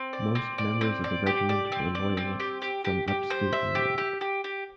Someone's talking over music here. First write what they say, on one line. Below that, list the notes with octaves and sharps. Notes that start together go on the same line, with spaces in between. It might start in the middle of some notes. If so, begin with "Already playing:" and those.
Most members of the regiment were Loyalists from upstate New York.
Already playing: C4
D5
C4
D5
C4
D5
G4
D5
C4
D5
C4
G4
G4
G4
G4
C5
E5
G4
G4
G4
G4